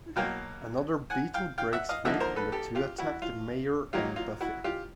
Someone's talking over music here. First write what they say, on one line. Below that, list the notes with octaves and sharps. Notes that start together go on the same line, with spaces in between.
Another beetle breaks free and the two attack the Mayor and Buffy.
B2 F#3 A#3 F5 G5
F#5 G#5
F5 G5
F5 G5
E5 F#5
D#5 F5
D3 F3 A#3 D#4 E5 F#5
A#4 C5
A4 B4
G4 A4
F4 G4
E4 F#4
F4
D#3 F#3 A#3 D#4 F4 G4
F4
E4 F#4
F4 G4